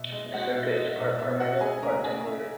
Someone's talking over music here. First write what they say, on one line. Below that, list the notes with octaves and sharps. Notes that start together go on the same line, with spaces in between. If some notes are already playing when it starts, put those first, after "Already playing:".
The circuit is part permanent, part temporary.
Already playing: B2 E5
G#3 D#5
G#3 F#4 F#5
B2 E5
G#3 D#5
B2 E5
B2 E5
B2 F#4 F#5
G#3 G#4 G#5
C#3 A#4 A#5
C#3 G#4 G#5
C#3 E5